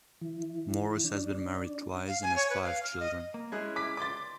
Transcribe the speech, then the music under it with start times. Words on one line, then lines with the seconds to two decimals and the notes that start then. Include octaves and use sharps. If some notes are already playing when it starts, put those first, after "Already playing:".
Morse has been married twice and has five children.
0.21 E3
1.05 D4
2.08 F5
2.23 G#5
2.36 C#5
2.50 B4
2.64 F5
2.83 F6
3.00 D#5
3.34 A#3
3.52 G#3 C#4 E4 G#4 F#6
3.76 D6 B6
3.97 D5 C6 D6 A6